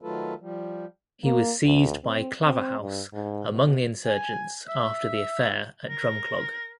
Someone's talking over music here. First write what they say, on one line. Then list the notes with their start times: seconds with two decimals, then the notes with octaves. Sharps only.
He was seized by Claverhouse among the insurgents after the affair at Drumclog.
0.02 D#3 F#3 A3 F4 A4 B4
0.40 F3 G3
1.24 A#3
1.65 D2
2.04 C4
2.43 C4
2.80 G2
3.13 G#2
3.50 B2
4.06 G#5
4.68 E5
5.88 A#4